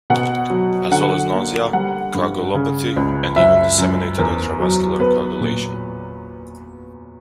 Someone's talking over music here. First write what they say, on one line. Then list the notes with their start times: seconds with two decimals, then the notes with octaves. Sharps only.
As well as nausea, coagulopathy, and even disseminated intravascular coagulation.
0.10 B2 F#5
0.50 F#3
0.91 D3 F#5
1.32 A#3
1.73 G3 F#5
2.14 G2
2.54 C#3
2.97 C#2
3.36 F#2 E5
3.78 F#2
4.18 E2 A#4
4.60 F#3
5.00 B3 B4
5.41 A#2